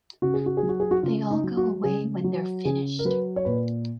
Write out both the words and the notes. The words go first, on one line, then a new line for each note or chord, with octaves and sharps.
They all go away when they're finished.
C#3 F#4
G#4
F#4
G#4
F#3
F#4
G#4
F#4
C#3 F4
D#4
F#3
F#4
C#3 G#4
F#3
C#3 G#4
A#4
F#3 B4
C#5
A#2 B4